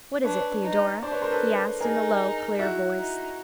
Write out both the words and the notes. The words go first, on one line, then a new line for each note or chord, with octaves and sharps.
"What is it, Theodora?" he asked, in a low, clear voice.
D4 B4 C#5
D#4
D4 C5 D5
B4 C#5
A#4 C5
A4 B4
D#4 G#4 A#4
E4 F#4
D#4